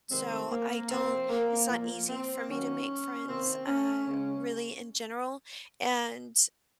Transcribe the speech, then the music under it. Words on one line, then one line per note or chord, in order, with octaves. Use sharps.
So, I don't it's not easy for me to make friends, uh, really, in general, and,
C3 D#3 G#3 C4
A#3
C3 F3 A#3 C4
A#3
A#2 F3 A#3
C4
D#3 F#3 A#3 C#4
C3 D#3 A#3 C4
C#4
C#3 G#3 C#4